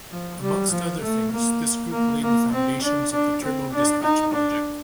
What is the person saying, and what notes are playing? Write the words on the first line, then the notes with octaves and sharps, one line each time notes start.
Amongst other things, this group laid the foundations of Turbo Dispatch project.
F3
G3
F3
A3
A#3
A#3
A#3
C4
D4
D4
C4
D4
D#4
D4